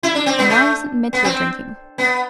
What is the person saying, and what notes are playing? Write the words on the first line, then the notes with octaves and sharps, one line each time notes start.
And why isn't Mitya drinking?
E4
D4
C4
B3
A3
B3
C4
B3